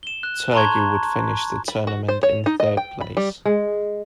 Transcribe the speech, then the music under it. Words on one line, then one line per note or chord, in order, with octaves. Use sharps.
Turkey would finish the tournament in third place.
E7 G7
F#6
A5 A#5 C6 C#6 G#6
B5
F#4
C5
C#5
D#4
D#5
G5
B5
G3
G#3